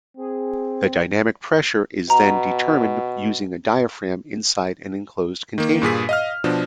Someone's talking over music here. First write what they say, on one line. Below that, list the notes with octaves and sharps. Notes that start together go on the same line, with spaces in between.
The dynamic pressure is then determined using a diaphragm inside an enclosed container.
C4 G#4
B2 A#5
D#3 A#3
G2 A#2 G#4 B6
D#5 F5 F6
B2 F3 D4